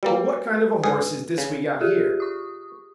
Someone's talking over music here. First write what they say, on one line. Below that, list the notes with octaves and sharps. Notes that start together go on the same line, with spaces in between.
Well, what kind of a horse is this we got here?
G3 A#3 F#4 B4
G#2 G#4
C#3
F4 G4 G#4
C#6 D#6